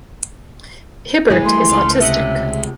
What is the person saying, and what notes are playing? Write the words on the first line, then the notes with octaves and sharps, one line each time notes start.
Hibbert is autistic.
G#2 E3 G3 G#3 G#4
G3 A3 C6
C#2 A3 F5
C3 D#5 E5 F#5